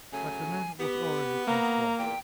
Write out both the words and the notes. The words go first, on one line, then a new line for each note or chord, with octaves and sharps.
But the man was already transformed.
C#3 F#3 A3 G#5
B3 G4
A#3 A#5
E2 A#2 G5